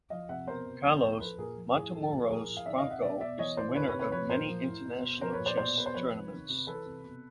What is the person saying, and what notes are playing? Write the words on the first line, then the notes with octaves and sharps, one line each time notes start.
Carlos Matamoros Franco is the winner of many international chess tournaments.
F3 D#5 F5
C3 E5 F#5
B2 A#4 C5
B2
F3
A2
F3 A4 B4
A#2 G#4 A#4
F3
A2 G#4
F3 A4
A#2
F3 G#4 A#4
A2
F5
D#3 D5 E5
D#5 F5
C3
E5 F#5
B2 D5 E5
B2 D5 E5
E3 C#5 D#5
A2 C5 D5
D#3 B4 C#5
B4 C#5
C3
B4 C#5
F3 B4 C#5
A#2 A#4 C5
F3
A2
B2
B2
F3 A#4 C5
B4 C#5
A#2
C5 D5
B2 C5 D5
B2 B4
C5
F3 B4 C#5
C3
D#3
C3
E3 A4 B4
C3
B2